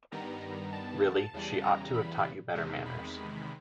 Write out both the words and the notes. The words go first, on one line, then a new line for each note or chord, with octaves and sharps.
Really, she ought to have taught you better manners!
G2 D#3 G3 B3 A#5
A5
E2 C#3 E3 G3
A#5
B5
E2 C3 D#3 G#3
B5